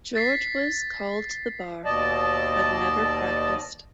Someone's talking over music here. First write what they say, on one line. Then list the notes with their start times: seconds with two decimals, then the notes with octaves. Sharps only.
George was called to the Bar, but never practised.
0.15 A6 B6 C7
1.85 D#2 B2 D5 D#5 A5